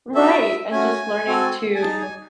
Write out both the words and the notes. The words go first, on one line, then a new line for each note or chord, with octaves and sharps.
Right, and just learning to
D#4 F#4 A4 E5
A3 C#4 F#4 G#5
C4 F#4 A4
G#5
D#4 G#4 A5
G#5